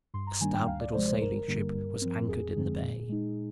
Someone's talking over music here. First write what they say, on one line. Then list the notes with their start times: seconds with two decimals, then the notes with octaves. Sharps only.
A stout little sailing-ship was anchored in the bay.
0.14 G2 C6
0.27 A#5
0.40 D#3 G3 A#3 D4 G#5
0.54 G5
0.67 D2 F5
0.81 D5
0.94 C3 F3 G#3 C5
1.08 C5
1.21 G1 A#4
1.48 G2 D3 G3 A#3
1.75 G2
2.02 F3 C4
2.28 F2 G#4
2.56 D3 F3 G#3 C4
2.82 A#2
3.09 G#3 D#4